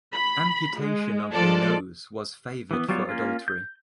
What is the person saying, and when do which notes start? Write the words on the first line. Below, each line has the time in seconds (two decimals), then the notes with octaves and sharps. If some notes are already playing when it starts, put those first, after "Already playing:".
Amputation of the nose was favored for adultery.
0.13 B5
0.79 G#3
1.33 F3 G#3 F4 A4 D5
2.71 E3 B3
2.89 F#3 G3 B3 F4 C#5
3.09 A#3 C#4 F4
3.48 G6